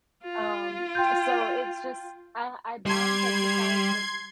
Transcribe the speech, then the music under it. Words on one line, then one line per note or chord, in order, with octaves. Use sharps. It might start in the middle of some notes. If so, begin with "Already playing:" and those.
um, so it's just uh, I balance exercise with
F4
G5 C6 G6
G3 C6 G#6